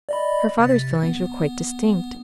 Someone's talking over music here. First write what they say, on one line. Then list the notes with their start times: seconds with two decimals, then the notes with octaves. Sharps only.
Her father's feelings were quite distinct.
0.09 D5 D#5 B5
0.60 C3 A6
1.03 B3